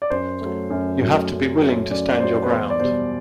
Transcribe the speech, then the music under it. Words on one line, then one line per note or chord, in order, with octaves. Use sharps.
You have to be willing to stand your ground.
D5
F#2 C5
F#3 A3
F#2
F#3 A3
F#2
F#3 A3
F#2 D5
D5
F#3 A3 C5
B4
E2 C5
D5
B2 G3 C5